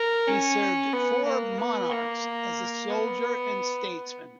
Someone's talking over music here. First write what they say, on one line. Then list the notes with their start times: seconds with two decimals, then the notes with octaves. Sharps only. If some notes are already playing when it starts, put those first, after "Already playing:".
He served four monarchs as a soldier and statesman.
Already playing: A#4
0.27 C#4
0.93 B3
1.26 A#3
1.58 B3
1.92 A#3
2.90 B3